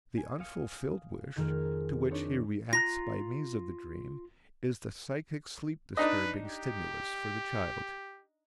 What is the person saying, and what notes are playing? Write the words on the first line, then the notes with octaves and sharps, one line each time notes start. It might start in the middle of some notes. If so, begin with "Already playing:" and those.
The unfulfilled wish, to which he reacts by means of the dream, is the psychic sleep-disturbing stimulus for the child.
G#5
F5 D#6 C#7
F2 D#3 A3 G#4 A#4 F6
C4 D4 D#4 C#5
F4 A#5 F#6 A#6
D4 D#4 B4 D#5
G4